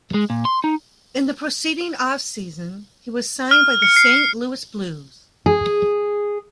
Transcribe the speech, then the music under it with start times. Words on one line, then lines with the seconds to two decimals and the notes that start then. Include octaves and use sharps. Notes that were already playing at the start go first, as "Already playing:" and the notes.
In the proceeding off season, he was signed by the Saint Louis Blues.
0.14 G#3
0.30 A#2
0.45 C6
0.64 D#4
3.51 F6
3.82 C#7
3.96 C7
5.46 G#4